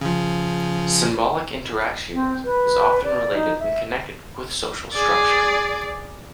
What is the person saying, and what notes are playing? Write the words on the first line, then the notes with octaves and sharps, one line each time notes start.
Symbolic interactionism is often related and connected with social structure.
C#3 F3
C4
B4
D5
D#4
E5
G#4 D5